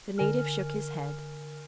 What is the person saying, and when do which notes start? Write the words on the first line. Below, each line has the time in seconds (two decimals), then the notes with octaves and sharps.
The native shook his head.
0.18 D3 A#4 G#5 F6